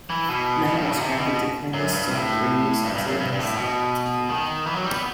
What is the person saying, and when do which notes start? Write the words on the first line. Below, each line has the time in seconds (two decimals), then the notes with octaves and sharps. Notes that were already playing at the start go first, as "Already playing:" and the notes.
Land was granted to Colonel Stone for use as a mill site.
0.10 E3
0.29 B2
0.65 B2
0.74 G2
0.83 A2
0.91 B2
1.01 C3
1.19 B2
1.74 F#2
1.93 G2
2.11 A2
2.83 G2
2.95 G2
3.08 F#2
3.20 G2
3.33 G2
3.39 A2
3.56 B2
4.29 D#3
4.67 E3
4.75 F#3
4.84 G3
4.93 B3